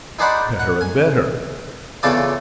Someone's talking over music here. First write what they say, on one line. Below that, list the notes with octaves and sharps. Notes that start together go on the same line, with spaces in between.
Better and better.
D#4 G#4 C5 D5 F#5 B5
F#5
G#5
E2 C#3 F4 A4 D5 G#5